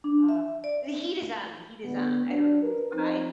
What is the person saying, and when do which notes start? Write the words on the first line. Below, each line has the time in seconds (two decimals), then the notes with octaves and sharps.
Um, The Heat Is On, The Heat Is On, I don't know who it's by.
0.04 D4
0.29 E5
0.64 D5
1.84 A2 D3 B3
2.26 D4
2.62 A#4 B4
2.93 F3 C4 D#4